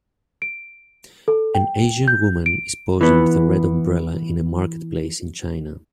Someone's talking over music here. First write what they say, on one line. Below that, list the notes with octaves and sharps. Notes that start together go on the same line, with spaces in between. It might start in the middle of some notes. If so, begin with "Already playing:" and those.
An Asian woman is posing with a red umbrella in a marketplace in China.
D7
A4
G5
G6
D7
E3 B3